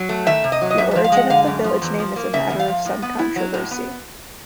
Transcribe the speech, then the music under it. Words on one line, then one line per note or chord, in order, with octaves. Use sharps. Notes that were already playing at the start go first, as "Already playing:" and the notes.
The origin of the village name is a matter of some controversy.
Already playing: F#3
A3
D#3 E5
C3
D#5
F#3
D#5
F#2 E5
F3 E5
F5
G#3 F#5
D3 F5
F#2
F3
E2
F3
A#3
C#3 E5
E2
F5
F3
A2
B3
E4
F#3
A2
B3